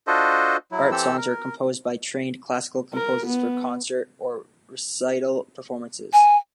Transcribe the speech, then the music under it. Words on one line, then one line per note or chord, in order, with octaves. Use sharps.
Art songs are composed by trained classical composers for concert or recital performances.
D4 F4 F#4 A4 C5 D#5
F#3 E4
E3 C4 G4 A4 E6
A#4
A#4
B3
G#5